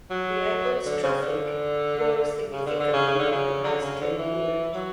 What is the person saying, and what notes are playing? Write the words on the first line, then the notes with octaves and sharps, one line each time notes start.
The airport's traffic rose significantly in the past ten years.
F#3
D3
C#3
D3
C#3
D3
D3
C#3
C#3
D3
C#3
D3
C#3
D3
E3
F#3